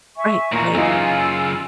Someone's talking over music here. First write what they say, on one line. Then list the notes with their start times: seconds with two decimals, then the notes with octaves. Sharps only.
Right, right.
0.17 E5 G#5 C#6
0.52 D#2 A#2 A#5
0.75 F#2 C#3 E3 D#4 F4 G#5 E6